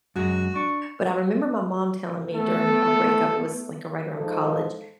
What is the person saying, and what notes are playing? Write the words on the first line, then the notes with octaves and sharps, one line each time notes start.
but I remember my mom telling me during a breakup, it was, like, right around college,
F#2 F#3 G#3 F#4
D4 C#6
A3 B3 A4
G#2 F3 D#4 A4